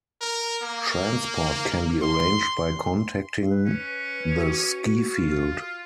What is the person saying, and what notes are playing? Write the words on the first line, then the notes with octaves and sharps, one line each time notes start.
Transport can be arranged by contacting the skifield.
A#4
A#3
C6
B4
C#4
F#4
F4